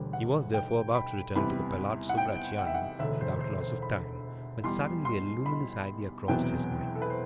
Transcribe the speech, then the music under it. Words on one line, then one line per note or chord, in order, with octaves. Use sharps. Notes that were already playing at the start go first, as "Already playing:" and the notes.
He was, therefore, about to return to the Palazzo Bracciano without loss of time, when suddenly a luminous idea crossed his mind.
Already playing: E1 D2 D3 G3
F#5
G5
B5
E2 C3 G3 B3 B5
F#5
G5
F#5
E5
F#5
E1 D2 D3 A3 E5
C5
C5
C5
B5
E2 B2 G3 C6
C6
B5
E1 E2 C3 F#3 B3 G5
A4
B4
C5